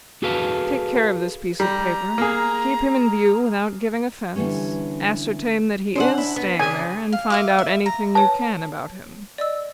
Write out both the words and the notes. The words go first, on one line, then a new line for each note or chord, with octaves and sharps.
'Take care of this piece of paper, keep him in view without giving offence, ascertain that he IS staying there, and find out anything you can about him.'
F#4 G#4 A4 B4 F5
G3 A#5
A#3 G#4
D3 E3 G3 B3 C#4
C#4 D4 C5 D#5 F#5
E4
B3
C#3 D4 G#5
F5
E5 F5 D6
E5
A#5
B4 C#5 A5
D5 D#5 E6